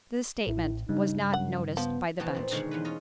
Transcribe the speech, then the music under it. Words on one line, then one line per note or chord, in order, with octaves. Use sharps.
This statement was not noticed by the bench.
A1 E4
G2 C#3 D#4
F#2 F#5
F3 B3
B2 E3 F3 B3 G5 A5
A#2 C4
B2 D3 D#3 G#3 F4 C#5
E2 F4 B4
C#4 F4 D#5